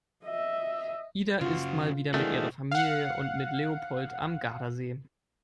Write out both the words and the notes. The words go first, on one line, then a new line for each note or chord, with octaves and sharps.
Ida ist mal wieder mit ihrer Familie und mit Leopold am Gardasee.
D#5 E5
C#3 F4 F#4
D#3 E3 G#3 A3 D4 F#4 G#4
F5 F#5